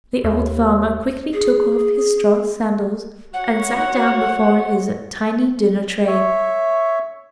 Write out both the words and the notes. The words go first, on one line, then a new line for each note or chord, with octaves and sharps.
The old farmer quickly took off his straw sandals and sat down before his tiny dinner-tray.
D#2
G#4
F#4 C#5 F#5
C#5 E5